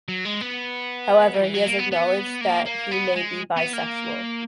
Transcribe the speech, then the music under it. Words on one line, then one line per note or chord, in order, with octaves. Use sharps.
However, he has acknowledged that he may be bisexual.
F#3
G#3
B3
E3
F#3
A#3
B3
B3
A#3
A#3
B3
G#3
B3
A#3